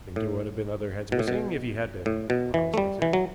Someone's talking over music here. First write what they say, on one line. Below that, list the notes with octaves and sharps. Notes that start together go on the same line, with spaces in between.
"I think there would have been other heads missing if he had been," Quarles answered.
A2
B2
A2
B2
A2
B2
E3
A3
G3
E3
F#3